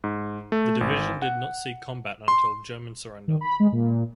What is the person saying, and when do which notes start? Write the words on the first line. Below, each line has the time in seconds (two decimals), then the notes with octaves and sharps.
The division did not see combat until German surrender.
0.04 G#2
0.52 A3
0.81 G#1
1.22 F#5
2.28 C6
3.28 D#3
3.41 B5
3.60 G#3
3.72 A#2